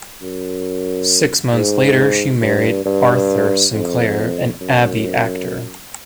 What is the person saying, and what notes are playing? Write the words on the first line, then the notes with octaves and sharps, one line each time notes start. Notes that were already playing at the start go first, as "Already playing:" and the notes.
Six months later she married Arthur Sinclair, an Abbey actor.
F#2
G#2
G2
G2
F2
F#2